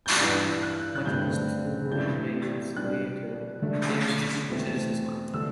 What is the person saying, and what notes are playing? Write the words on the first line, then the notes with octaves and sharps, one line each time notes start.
Much of this tooling made its way into the Athearn Genesis line.
G6
F#6
G2 E3 B3 D4 E6
F#6
F#6
G2 D3 A3 C4 G6
C3 E3 A3 D4 G6
B2 G3 D4 F#6
D3 A3 D4
E2 B2 A3 C4
D3 A3 E6